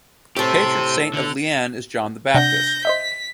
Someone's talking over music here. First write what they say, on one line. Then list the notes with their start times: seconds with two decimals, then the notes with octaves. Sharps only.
The patron saint of Lian is John the Baptist.
0.36 A2 G4 A4 C5
1.14 D3
2.34 C3 D4 F#5 G6 A#6
2.85 C5 D#5 E5 B6